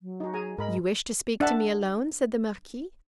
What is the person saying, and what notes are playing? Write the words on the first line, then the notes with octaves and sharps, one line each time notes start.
"You wish to speak to me alone?" said the marquis.
F#3
D#4 F#4
G#4 G#5 A#5
G#2 A#4 D#5 B5
D4 E5 F#5 A5